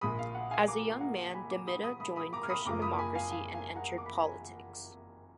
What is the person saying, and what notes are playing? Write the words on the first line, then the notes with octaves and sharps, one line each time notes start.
As a young man De Mita joined Christian Democracy and entered politics.
A#1 A#2 G#3 B5 D#6
F5
F#5
F5 G#5
A#5 D6
F#5 A#5
G#5 B5
A#5 D6
B5 D#6
B5 D#6
B5 D#6
B5 D#6
A#5 D6
F6
B5 D#6
F#1 F#2 F3 A#3 A#5 D6
B5 D#6
G#5 B5
F5 G#5
F5 G#5
F5 G#5
F#5 A#5
D6
B5
A#5
G#5 B5